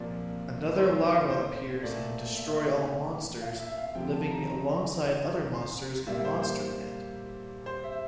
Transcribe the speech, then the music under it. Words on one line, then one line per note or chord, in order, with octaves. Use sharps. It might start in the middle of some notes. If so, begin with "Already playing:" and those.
Another larva appears in "Destroy All Monsters", living alongside other monsters in Monsterland.
Already playing: C2 A#2 F3 A#3 D5
A#4
C5
C5
A#2 A3 D5
E5
F5
E5
F5
D2 C3 F3 G5
A5
A#5
A#5
C6
A#2 G3 A#3 E5
C5
C5
C5
E5